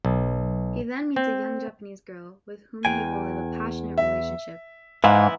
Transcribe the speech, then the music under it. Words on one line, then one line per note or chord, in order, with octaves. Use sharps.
He then meets a young Japanese girl with whom he will live a passionate relationship.
B1
C4
E2 G5 G#5
E5
G#2 E3 B3 E4 F5